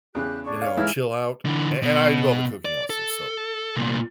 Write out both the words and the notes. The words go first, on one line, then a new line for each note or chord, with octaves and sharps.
you know, chill out an and I do all the cooking also, so
E2 C#3 G4 F#6
D4 G#4 C#6
C#5 F5
G#2 E3 E4 F6 G#6
D3 E3
B2
D5
A4
C2 A#2